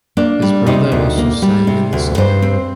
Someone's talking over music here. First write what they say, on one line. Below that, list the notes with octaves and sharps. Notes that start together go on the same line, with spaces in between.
His brother also sang in this opera.
A#3 D4
G3
C3 D#4
D2
A#3
G3
C3
D2
G2 C5
C4